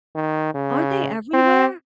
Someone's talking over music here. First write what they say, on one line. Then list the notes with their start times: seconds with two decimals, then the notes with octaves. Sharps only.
Aren't they everywhere?
0.15 D#3
0.55 C#3
1.34 C4